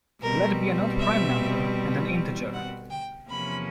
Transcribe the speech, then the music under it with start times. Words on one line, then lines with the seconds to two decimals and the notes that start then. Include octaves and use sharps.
Let be an odd prime number and an integer.
0.22 B2 G3 C4 A#4
1.00 E5
2.53 F#5
2.91 G5
3.29 E2 C3 F3 A#3 C#4 B5